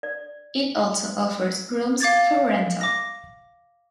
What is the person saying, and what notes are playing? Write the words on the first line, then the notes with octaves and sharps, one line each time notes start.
It also offers rooms for rental.
D5
F5 D6 G#6 A6
D6 A#6